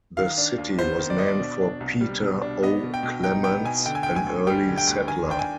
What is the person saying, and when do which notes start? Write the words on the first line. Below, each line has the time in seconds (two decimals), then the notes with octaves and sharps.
The city was named for Peter O. Clements, an early settler.
0.17 D#3 F5
0.38 D4
0.58 D#2
0.79 B3 C5
0.99 D#3
1.10 D5
1.18 D4 D#5
1.27 D5
1.40 B2
1.61 D4
1.80 C2
2.01 G3
2.21 B2
2.42 D4
2.63 B3 D#5
2.83 B2
2.94 G5
3.03 B2
3.23 D#4 G5
3.44 B3 G5
3.65 B2 G#5
3.85 D3 G5
3.95 G#5
4.03 D2 G5
4.16 G#5
4.26 D2
4.47 G3 G5
4.68 D3
4.78 G5
4.87 D2
5.08 D#3 G#5
5.28 D4 G5
5.39 G#5